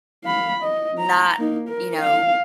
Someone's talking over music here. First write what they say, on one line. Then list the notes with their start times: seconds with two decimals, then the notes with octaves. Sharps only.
not, you know,
0.25 F5 B5
0.63 D#5
0.99 A#5
1.38 A#3 D#4
1.68 A#4
2.01 F5